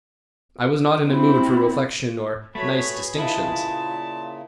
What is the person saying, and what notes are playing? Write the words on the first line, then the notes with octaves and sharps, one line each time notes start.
I was not in a mood for reflection or nice distinctions.
C4 E4
A3 F#4 G#4 B4 C#5 B5
A#2 C#3 D#4 E4 A5